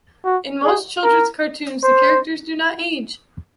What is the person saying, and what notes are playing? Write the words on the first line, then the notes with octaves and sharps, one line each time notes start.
In most children's cartoons, the characters do not age.
F#4
G#4
A#4
C5